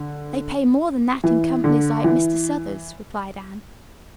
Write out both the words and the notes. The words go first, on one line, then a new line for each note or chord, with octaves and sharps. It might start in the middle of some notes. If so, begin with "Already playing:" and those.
"They pay more than that in companies like Mr. Southard's," replied Anne.
Already playing: D3
E3
D3
E3